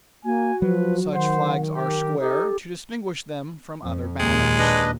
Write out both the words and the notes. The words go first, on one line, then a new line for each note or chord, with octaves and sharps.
Such flags are square, to distinguish them from other banners.
A#3 F#4 G#5
F3 F#3 B4
D#3 C5 F#5
G4 A#4
D#4 G4 A4
F2
D#2 A#2 G#3
D4 B4 D#5